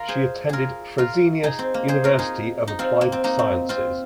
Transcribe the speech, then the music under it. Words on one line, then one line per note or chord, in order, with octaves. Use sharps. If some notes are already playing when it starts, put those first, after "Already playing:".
She attended Fresenius University of Applied Sciences.
Already playing: F4 A#4
G#4 C5
F4 G#4 A#4
F4 A#4
D#4 G#4
C4
A#3
G#4 C5
F4 A#4
D#4 G#4
D#4
C4 F4
A#3
C4
A#3 D#4
C4
C4 F4